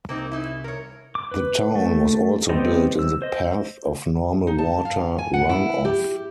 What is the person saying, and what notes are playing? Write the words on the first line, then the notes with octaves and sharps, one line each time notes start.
The town was also built in the path of normal water runoff.
C2 A#3 C4 D#4
C#4 D#4 E4
A#4 C#5
D6
B4
A3
G3 B3 C4 G4 D#5
E6
C5 D#5
D#4
A5
F5
G#5
F#5
E4
G4